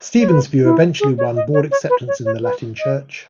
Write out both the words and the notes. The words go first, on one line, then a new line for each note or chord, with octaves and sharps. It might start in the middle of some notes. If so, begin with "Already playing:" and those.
Stephen's view eventually won broad acceptance in the Latin Church.
C#5
B4
E4
G#4
C#5
D#5
C#5
C#5
B4
C#5
C#5
B4
D#5